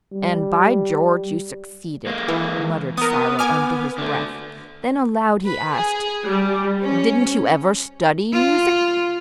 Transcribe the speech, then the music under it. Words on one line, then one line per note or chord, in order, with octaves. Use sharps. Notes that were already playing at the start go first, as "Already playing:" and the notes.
"And, by George! you succeeded," muttered Cyril under his breath; then aloud he asked: "Didn't you ever study music?"
G3
G#3 A#3
E3
B3 A#4 D#6
G#5 D6 F6
D3 A3
B4
G#4
G3
C#4
F4